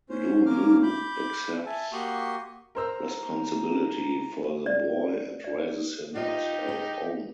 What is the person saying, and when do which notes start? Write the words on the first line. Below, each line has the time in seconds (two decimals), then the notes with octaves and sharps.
LouLou accepts responsibility for the boy and raises him as her own.
0.10 C#4 C5
0.46 A#3 C#4 A#4 D6 F6
0.83 B5 D6 G6
1.66 E5 G#5 A5
1.92 A#3 F#4 G4 C6 C#6 D#6
2.75 A#4 C5 A#5 E6
4.66 D5
5.44 D5
6.16 D#4 F4 G4 D#5
6.69 G#4